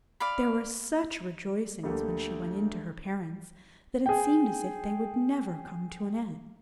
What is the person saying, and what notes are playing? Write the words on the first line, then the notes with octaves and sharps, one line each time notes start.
There were such rejoicings when she went in to her parents that it seemed as if they would never come to an end.
D5 F5 B5
D2 D3 G3 A3 A#3
G#4 G5